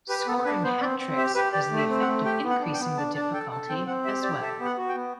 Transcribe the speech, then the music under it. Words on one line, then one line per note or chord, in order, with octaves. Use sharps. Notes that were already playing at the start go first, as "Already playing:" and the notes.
Scoring hat tricks has the effect of increasing the difficulty as well.
G4 B4
B4
B3 A4
D4 B4
B3 C5
C4 D5
C4
G4 E5
G4 B4
G4 D5
A3
E5
C4
F#5
A3
G4 G5
B3
F#5
D4
G5
B3
D4 A5
D4 A5
A4 G5
A4 A5
C4 G5
C4 F#5
G4 E5
G4 D5
A4 E5
B3
F#5
F#4
G5
B3